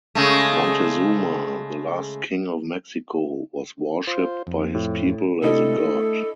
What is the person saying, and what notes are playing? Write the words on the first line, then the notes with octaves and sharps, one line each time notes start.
Montezuma, the last king of Mexico, was worshiped by his people as a god.
C#3 G#3 A3
F4 C5
F2
A2
C3 A3 D4 E4 A4 D#5
A3